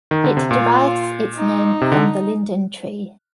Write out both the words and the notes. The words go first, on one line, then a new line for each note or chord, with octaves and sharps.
It derives its name from the Linden Tree.
D#3
D3
C3
A#2 F4
D#4
C3
D3